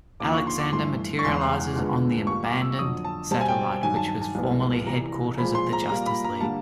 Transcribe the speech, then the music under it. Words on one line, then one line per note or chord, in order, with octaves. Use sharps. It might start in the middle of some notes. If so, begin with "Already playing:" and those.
Alexander materializes on the abandoned satellite which was formerly headquarters of the Justice League.
D#2 D3 F3 A#3 D6
C#6
C6
D6
G2 E3 A3 C6
C#6
E2 C#3 E3 G#3 C6
C6
F2 D3 F3 G#3 B3
A#2 G3 A#3 C#6
D6
E6
F2 D3 F#3 D#6
A5
B2 G3 C4 A5
G#5
G5
G2 D#3 F#3 G#5
A5
A5
A5
C2 A#2 F3 G#3 B3
C2 C3 E3 A#5
A#2 F3 G#3 C4 B5
C6
A#5
A#2 G3 A#3 A#5
B5
A#5
D3 G3 A#3 A5